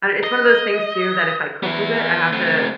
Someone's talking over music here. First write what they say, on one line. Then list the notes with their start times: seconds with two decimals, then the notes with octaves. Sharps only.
uh, it's one of those things too that if I cook with it, I have to
0.23 D#5
1.63 B3 E4
2.32 A3 C4